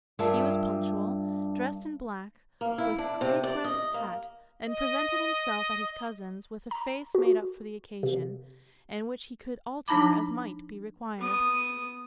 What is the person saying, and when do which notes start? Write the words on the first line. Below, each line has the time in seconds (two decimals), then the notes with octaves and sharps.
He was punctual, dressed in black, with crape around his hat, and presented himself at his cousin's with a face made up for the occasion, and which he could alter as might be required.
0.19 G2 F4 G#4 A#4 E5 A5
2.61 A#3
2.78 E4
2.98 D4
3.21 C3
3.43 D5
3.64 D#5
3.94 A#3
4.66 D#5
6.71 A#5
7.15 F#4
8.03 C3
9.88 F3 D4 D#4 A5 B5 D6
11.18 B3 D#6